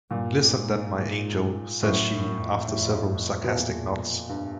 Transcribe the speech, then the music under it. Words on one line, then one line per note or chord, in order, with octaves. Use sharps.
"Listen then, my angel," says she after several sarcastic nods.
G2 A#2
G#2
F#2 A2
F#2
F2
F2 A2
F2
B2
E2 A#2
F2
G2